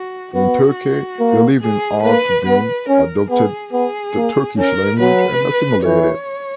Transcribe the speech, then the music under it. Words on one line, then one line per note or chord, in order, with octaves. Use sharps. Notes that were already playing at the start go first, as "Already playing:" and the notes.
In Turkey they live in Artvin, adopted the Turkish language and assimilated.
Already playing: F#4
B3 F#4
A#3
G#4
A#3 B4
B3 B4
C#4 A#4
B3 G#4
B3 G#4
A#3
C#4 A#4
F#3 B4
E3 C#5